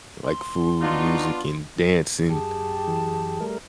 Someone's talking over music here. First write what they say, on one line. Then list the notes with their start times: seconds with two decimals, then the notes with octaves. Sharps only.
like food, music, and dancing.
0.25 C6
0.81 B3 D4 D#4 F4 F#4
2.30 F#2 G4 G#4 A5
2.88 E3
3.41 G3 A3 A#4